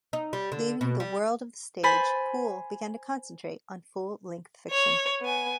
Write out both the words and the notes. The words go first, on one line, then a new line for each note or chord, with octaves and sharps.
Leaving the world of the stage, Poole began to concentrate on full length fiction.
D#4
G3
D3
B2
G3
C5 G#5 B5 A6 B6
C#5
B3 G#5